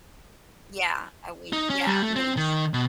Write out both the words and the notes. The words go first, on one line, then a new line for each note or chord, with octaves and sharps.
Yeah, a week, yeah. It means
D#4
C#4
G3
A3
C4
D#3
B2